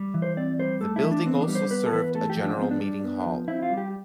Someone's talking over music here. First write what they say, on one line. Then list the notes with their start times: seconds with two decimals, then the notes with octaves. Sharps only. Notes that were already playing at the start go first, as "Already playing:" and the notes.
The building also served a general meeting hall.
Already playing: G3
0.14 E3
0.22 C5
0.37 C4 D5
0.59 G3 C5
0.81 A3 A4
0.96 E4
1.04 E3
1.12 D4
1.26 B3 C4
1.41 D4
1.48 G3
1.55 C5
1.71 B3 B4
1.86 A4
1.92 E3 B4
2.15 A3 A4
2.30 G4
2.37 F3
2.45 D4
2.57 B3 C4
2.71 D4
2.81 G3
3.04 B3
3.26 F3
3.48 C4 E4
3.62 F4
3.70 G3
3.77 G4